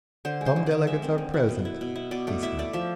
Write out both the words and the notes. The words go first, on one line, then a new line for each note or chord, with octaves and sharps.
"Some delegates are present," he said.
D3 C5
G#3
C5
D3
D3 D5
G#3 E5
C4
D3
E4
B2
E4
B2
E4
B2 D5
A3 D5
E4 E5
A3 D5
F3 E5